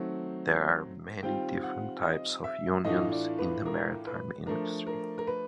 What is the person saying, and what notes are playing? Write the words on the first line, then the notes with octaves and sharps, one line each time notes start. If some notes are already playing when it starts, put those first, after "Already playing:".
There are many different types of unions in the maritime industry.
Already playing: D#3 F#3 A3 C4
D#3 G3 C4 F4 G5
F#5
D#5
E5
A2 E3 A3 D4 F4 D#5
D5
B4
A#4
B4
F3 A3 D4 A#4
A#4
A#4
B4